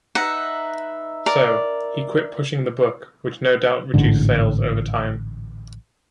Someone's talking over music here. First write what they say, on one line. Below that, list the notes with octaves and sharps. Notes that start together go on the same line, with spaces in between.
So, he quit pushing the book, which no doubt reduced sales over time.
D#4 B4 E5 F#5
A#4 D5
A1 G#2 D3